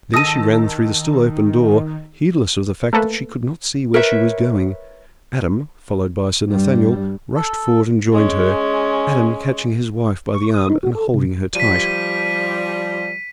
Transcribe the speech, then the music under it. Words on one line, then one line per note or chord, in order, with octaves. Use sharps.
Then she ran through the still open door, heedless of the fact that she could not see where she was going. Adam, followed by Sir Nathaniel, rushed forward and joined her--Adam catching his wife by the arm and holding her tight.
D#3 D#4 A5 D#6 E6 A#6 D#7
A3 A#3 A4 B4
A#4 B4 C#5 E5
G2 G3
A4
G#3 C#4
C#6
D#6
D#4
F#4
A4
C3
F3 G3 B6 D#7